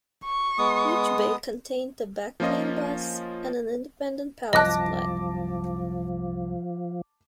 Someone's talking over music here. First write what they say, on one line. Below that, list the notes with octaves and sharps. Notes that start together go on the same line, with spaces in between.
Each bay contained a backplane bus and an independent power supply.
C#6
G#3 B3 D#6
F3 A#3 C#4 F4 D#5
C2 F#2 F3 D#5 A5 D6 F#6 A#6